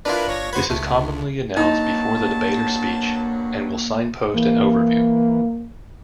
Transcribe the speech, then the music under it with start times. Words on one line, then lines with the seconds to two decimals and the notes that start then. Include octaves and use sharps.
This is commonly announced before the debater's speech and will signpost an overview.
0.05 D4 E4 F4 A#4 B4
0.27 G1 C#5 A#6
0.53 F2 F#4 B4 C5 G#6
0.70 C#2 A3
1.57 G2 F#3 A#3 D#4 A5
4.35 E3 A#3